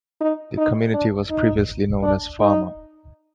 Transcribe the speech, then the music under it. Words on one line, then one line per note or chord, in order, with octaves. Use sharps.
The community was previously known as Farmer.
D#4
D#4
D4
D#4
D4
D#4